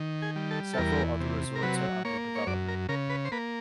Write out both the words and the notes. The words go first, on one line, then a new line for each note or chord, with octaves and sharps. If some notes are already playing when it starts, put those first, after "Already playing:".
Several other resorts are under development.
Already playing: D#3
G#4
G3
A4
A4
E2 A#4
C3
A#4
F#3 B4
A#3 C#5
C#5
F#2 D5
A#4
C#3 A#4
B4
C5
A#3 B4